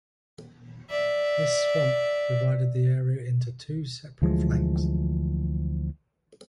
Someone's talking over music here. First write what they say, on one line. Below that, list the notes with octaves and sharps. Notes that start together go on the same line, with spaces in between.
This swamp divided the area into two separate flanks.
D5 E5
D2 E3 F3 G#3